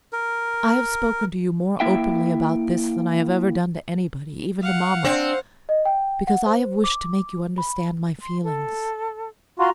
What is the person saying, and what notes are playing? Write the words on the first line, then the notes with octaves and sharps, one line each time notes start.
I have spoken to you more openly about this than I have ever done to anybody, even to mamma, because I have wished to make you understand my feelings.
A#4
A#3 E4 E5 G5
F5 F#5
C4 D4
D#5
G5
F#5
C5
D6
B5
C6
A4
F4 F#4 A#5 C6